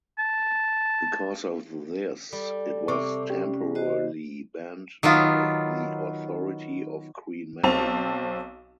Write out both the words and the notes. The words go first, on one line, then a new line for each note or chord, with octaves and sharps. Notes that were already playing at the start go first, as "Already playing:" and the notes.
Because of this it was temporarily banned by the authority of Queen Mary.
A5
G3 A4
C3 C#6 D6
C#4 G4
F#4 C5 D#5
D#3 F#3 B3 F4
B1 C4 A5 F7